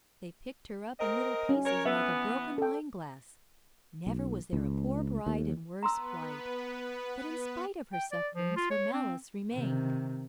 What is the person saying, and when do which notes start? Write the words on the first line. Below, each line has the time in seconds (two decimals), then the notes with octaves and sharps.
They picked her up in little pieces, like a broken wineglass; never was there a poor bride in worse plight. But in spite of her sufferings her malice remained.
1.00 C4 A#4 D#5
1.49 C#4
1.65 A#4 C#5
1.86 E3 B3 E5
2.58 A4 G5
4.07 B1
4.53 C#2
5.27 D#2
5.83 B3 B4 A#5 C6 E6
7.93 G5
8.12 D5
8.35 F3
8.56 F4
8.70 C#5
8.93 C4
9.53 C3 D#3